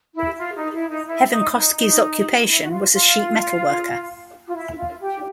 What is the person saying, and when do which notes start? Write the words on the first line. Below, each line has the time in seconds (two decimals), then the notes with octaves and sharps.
Hevonkoski's occupation was a sheet-metal worker.
0.15 E4
0.38 F4
0.56 D#4
0.74 E4
0.90 D#4
1.07 E4
1.31 D#4
1.54 D#4
1.77 D#4
2.47 E4
2.63 F#4
2.70 F4
2.93 F4
4.48 F4
4.55 E4
4.78 F4
5.01 G4